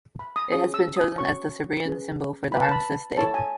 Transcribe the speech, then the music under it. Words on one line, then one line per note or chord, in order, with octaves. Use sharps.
It has been chosen as the Serbian symbol for the Armistice Day.
B5
D#6
C#4 G#4 C#5 D#6
E6
D#6
C#4 F#4 C#5 C#6
C#4 G#4 B4
E4 B4 B5
A5
B5
E4 A4 C#5 A5
G#5